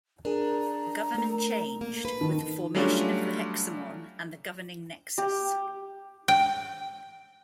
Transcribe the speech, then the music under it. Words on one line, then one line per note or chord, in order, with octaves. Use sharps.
Government changed, with the formation of the Hexamon and the governing Nexus.
D4 G#4 A#4 A#5
A3 A#4
A#3
D2 B4
D#3 A5
F#3 G3 A3 C#4 D4 F4
G4
G5